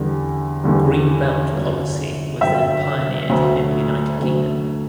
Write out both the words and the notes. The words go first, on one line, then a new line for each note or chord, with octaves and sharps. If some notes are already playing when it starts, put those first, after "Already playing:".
Green belt policy was then pioneered in the United Kingdom.
Already playing: E2 D3 G3
E2 D3 G3
G1 F#2 D3
G1 F#2 D3 E5 G5
D2 D3 F#3 A3
D2 D3 F#3 A3